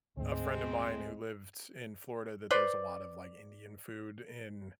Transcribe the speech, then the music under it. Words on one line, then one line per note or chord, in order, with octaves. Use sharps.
a friend of mine who lived in Florida that there's a lot of, like, Indian food in
D2 G#2 G#3 C4
B4 C5 D5